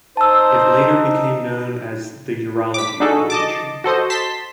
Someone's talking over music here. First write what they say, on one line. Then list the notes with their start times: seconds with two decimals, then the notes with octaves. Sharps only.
It later became known as The Urology Foundation.
0.17 D#4 C5 A5 E6
2.74 D6 B6
3.00 D4 D#4 F#4 G#4 A4
3.30 D#5 A5 D6
3.84 F#4 A4 C5 D#5
4.10 A5 C6 B6